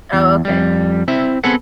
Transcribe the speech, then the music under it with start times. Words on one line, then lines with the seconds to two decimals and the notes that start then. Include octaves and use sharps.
Oh, okay.
0.13 E2
0.45 F2 G3
1.08 C4 E4 E5
1.44 B3 C4 G#4 A4 B4 F#5